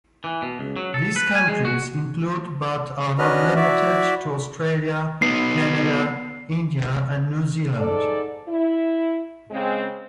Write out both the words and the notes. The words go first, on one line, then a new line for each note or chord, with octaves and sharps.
These countries include but are not limited to Australia, Canada, India, and New Zealand.
E3
B2
C#2
F#3
A4
B4
G#5
G#3
F#4
C#4 D4 F#4 B4 D#5 F6
E4 F#4 D5 E5
B3 D#4 C7
G#2 A4 D5
E4
C#3 G#3 C4